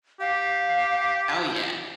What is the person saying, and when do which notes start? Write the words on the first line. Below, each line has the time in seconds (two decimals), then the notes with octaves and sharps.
Oh yeah.
0.21 G4 F5